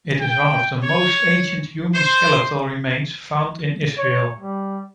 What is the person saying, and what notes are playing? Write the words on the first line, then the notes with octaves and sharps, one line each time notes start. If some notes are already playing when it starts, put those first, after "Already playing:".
It is one of the most ancient human skeletal remains found in Israel.
G5
C#5
C5
C#5
G3